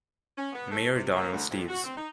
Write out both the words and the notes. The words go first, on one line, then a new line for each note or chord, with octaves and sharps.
Mayor Donald Steeves.
C#4
B3
A3
C3
A#3
D2
F2
F#4
C4
D#4